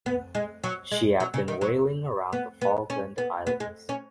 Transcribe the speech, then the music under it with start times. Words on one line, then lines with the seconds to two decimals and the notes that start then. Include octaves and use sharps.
She had been whaling around the Falkland Islands.
0.06 B3
0.35 G#3
0.64 F#3
0.91 G#3
1.20 F#3
1.34 C#3
1.48 D#3
1.61 F#3
2.33 B3
2.61 B3
2.90 C#4
3.18 B3
3.47 B3
3.60 G#3
3.89 C#4